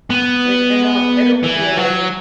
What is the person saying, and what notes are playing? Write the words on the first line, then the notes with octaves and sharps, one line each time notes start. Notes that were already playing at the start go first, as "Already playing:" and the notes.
Like, I don't I don't feel like
B3
E3
F#3